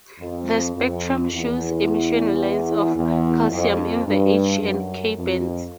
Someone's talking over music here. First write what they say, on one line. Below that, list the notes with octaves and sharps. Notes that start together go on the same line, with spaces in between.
The spectrum shows emission lines of calcium in the H and K bands.
F2
F2
E2
E2
F2
G2
F#2
F2